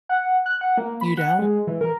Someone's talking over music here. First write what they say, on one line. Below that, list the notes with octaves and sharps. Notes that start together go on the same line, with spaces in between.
You don't?
F#5
F#6
F#5
A#3
B5
F#5
G#3
E3
A#4